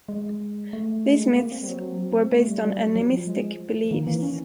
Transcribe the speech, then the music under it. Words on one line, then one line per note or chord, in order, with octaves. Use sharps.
These myths were based on animistic beliefs.
G#3
A3
G#3
A#3
C4
G3
F#3
A3
G3
F#3 G3
F#3
F3
G#3
D#3 A#3
E3 A#3
C#4